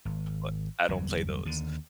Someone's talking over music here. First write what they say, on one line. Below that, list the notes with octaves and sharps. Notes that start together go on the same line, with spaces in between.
but I don't play those,
G#1
G1 E2 F#3 G3
D#2 D3